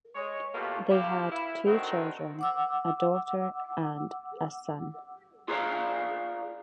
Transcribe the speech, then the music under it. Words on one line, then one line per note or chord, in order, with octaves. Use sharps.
They had two children, a daughter and a son.
G#3 C#5
B2 A3 A#3 F4 G4
B2 E4 G4 F5
E4
D3 D#3 C4 F#4 A#4
F#5 D6 E6
F4 G#4 A#4 C5 D5 F5